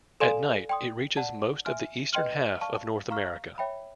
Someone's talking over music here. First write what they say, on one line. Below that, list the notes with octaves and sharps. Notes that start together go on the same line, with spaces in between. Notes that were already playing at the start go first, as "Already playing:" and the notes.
At night, it reaches most of the eastern half of North America.
A4 D5 F5 G#5 C6
D5 G5 C6 D#6
D5 F#5 A5
E5 G#5 C6 F6
B4 D#5 G5 C6 F6
D5 F5 A5 C#6 F6
F5 A#5 C#6 F6
C#5 E5 G5 B5